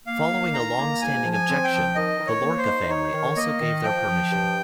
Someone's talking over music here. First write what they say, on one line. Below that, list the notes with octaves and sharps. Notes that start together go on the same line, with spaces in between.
Following a long-standing objection, the Lorca family also gave their permission.
A#3 F5
D#3
D#3 A#5
A#3
G#2 G#5
F3
G#5
C4
G5
F3
D#3 D#5
D#3
C#5
A#3
C5
D#4
D#4 C#5
D#3
A#3 D#5
D#3
F3 G5
F3
G2